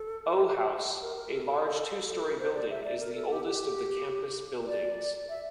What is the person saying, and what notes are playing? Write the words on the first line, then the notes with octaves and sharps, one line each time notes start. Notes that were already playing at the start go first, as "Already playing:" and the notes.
O House, a large two-story building, is the oldest of the campus buildings.
Already playing: A4
A#4
A#4
A4
A4
A4
A4
A#4
C5
D5
E5
D5
A#4
A4
G4
G4
D5
E5